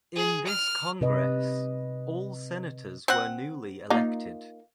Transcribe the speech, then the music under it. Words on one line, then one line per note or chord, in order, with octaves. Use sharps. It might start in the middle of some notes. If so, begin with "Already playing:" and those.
In this Congress, all Senators were newly elected.
G#4
F6
C3 B4 D#5
C4 F#5
A#3 D#4 F4